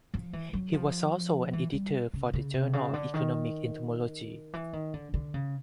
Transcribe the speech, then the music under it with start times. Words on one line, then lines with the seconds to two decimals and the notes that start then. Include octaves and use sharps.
He was also an editor of the "Journal of Economic Entomology".
0.14 F3
0.33 E3
0.53 F#3
0.73 F3
1.53 E3
1.73 G3
2.14 C#3
2.33 C#3
2.54 C3
2.73 C#3
2.94 D3
3.14 D#3
4.53 E3
4.73 D#3
4.94 D3
5.14 D3
5.34 C#3